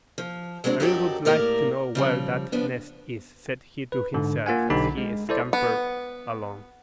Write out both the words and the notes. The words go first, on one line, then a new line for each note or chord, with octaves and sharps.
"I really would like to know where that nest is," said he to himself as he scampered along.
F3
F#3 G#3 B3 C4 D4
F#2 F#3 D#4 F#4 G4 A4
A2 A#3 G4 A#4 D5
C#3 F3 G3
F3 B3 D4
B4
G#2 D3
A#3 F4 F#5 G#5
B1 D3 D#4 G4 B5
G#3
E4 A4 C5 D5
B3